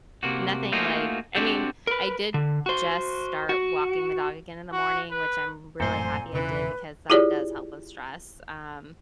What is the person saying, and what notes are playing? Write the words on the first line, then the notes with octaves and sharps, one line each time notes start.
nothing like I mean, I did just start walking the dog again in the morning, which I'm r really happy I did because that does help with stress, um.
C3 A#3 F#4
A3 A#3 D#4 F4 F#4 G#4
C4 D4 F#4 G4 A4
A#4 B4
D3
F#4 C5
F#4
F#4
B4
A1 F#2 A#2 A3 C4 A4 C5 G#5
E1 C#3 E3 B4
E4 F4 G4 G#4 C#5 D5